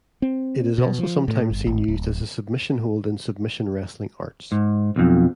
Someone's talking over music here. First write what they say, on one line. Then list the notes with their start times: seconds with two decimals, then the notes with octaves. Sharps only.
It is also sometimes seen used as a submission hold in submission wrestling arts.
0.22 C4
0.78 B2
0.99 F3
1.28 A2
1.51 G1
1.67 G#1
1.88 D1
4.52 G#2
4.96 B1 F2